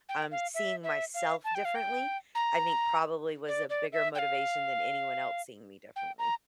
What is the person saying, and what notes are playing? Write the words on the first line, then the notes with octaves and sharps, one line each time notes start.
Um, seeing myself differently, I think, probably, was a bigger motivation than anyone else seeing me differently.
G5
F5
E5
E5
F5
A5
G5
F5
G5
A#5
D5
D5
E5
G5
F5
G5
A#5